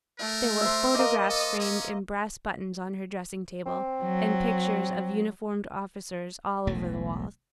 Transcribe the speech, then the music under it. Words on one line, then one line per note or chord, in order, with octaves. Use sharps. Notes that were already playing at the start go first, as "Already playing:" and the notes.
There were photographs framed in brass buttons on her dressing-table, and pictures of uniformed officers all over the walls.
A3 A#4
C5 E5
A#3 D#5 D6
A4
C#4
C4
F#3
E1 B1 A2 A3